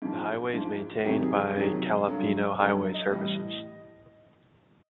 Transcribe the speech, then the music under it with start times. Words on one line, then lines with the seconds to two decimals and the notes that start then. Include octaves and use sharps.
The highway is maintained by Capilano Highway Services.
0.02 G#2 F3
0.53 G#2 F3
1.04 F2 C3 D#3 F#3 G4
1.22 G#4
1.39 G#4
1.56 F2 C3 D#3 F#3
2.08 G2 D3 F#3
2.59 G2 D3 F#3 A4
2.94 D#5
3.10 A2 E3 G3